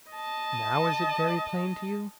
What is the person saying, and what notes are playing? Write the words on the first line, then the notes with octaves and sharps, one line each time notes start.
Now is it very plain to you?
D#5 A5